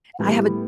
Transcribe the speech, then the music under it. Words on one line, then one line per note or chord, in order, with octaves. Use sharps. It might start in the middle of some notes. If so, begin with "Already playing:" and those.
I have a
A2 G3 B3 E4 G4